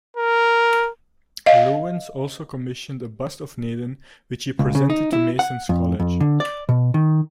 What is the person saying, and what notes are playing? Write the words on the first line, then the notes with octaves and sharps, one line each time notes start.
Lewins also commissioned a bust of Naden which he presented to Mason's College.
A#4
D#5 F5
C#2
C#3
D#4
E4
F#5
F2
F2
D3
D5
B2
D#3